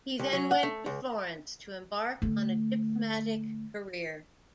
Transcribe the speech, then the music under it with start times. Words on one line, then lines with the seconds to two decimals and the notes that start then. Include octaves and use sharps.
He then went to Florence to embark on a diplomatic career.
0.19 C2
0.33 F#3
0.51 F#5
0.63 A3
0.86 C#2
2.22 D3 A3